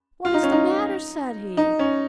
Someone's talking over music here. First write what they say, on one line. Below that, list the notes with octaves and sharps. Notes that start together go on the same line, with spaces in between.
"What is the matter?" said he.
F4
D#4
C#4
D#4
D#4
C#4